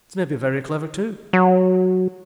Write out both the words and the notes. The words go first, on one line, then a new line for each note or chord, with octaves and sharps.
This may be very clever too.
F#3